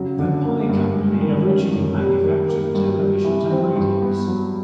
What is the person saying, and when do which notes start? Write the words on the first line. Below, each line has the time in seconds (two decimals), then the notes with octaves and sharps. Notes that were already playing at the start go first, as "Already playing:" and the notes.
The Pye Company originally manufactured televisions and radios.
Already playing: C#3 F#3
0.19 D3
0.45 A#3
0.70 G2
0.96 G#3
1.20 D#3
1.47 C#4
1.72 F#2
1.98 G3
2.23 D#3
2.49 A#3
2.74 G2
3.00 G3
3.25 E3
3.50 C4
3.76 G2
4.02 B3
4.27 F#3